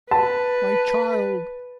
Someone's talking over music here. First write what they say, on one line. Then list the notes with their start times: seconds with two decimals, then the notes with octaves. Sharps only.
My child!
0.11 B4 A5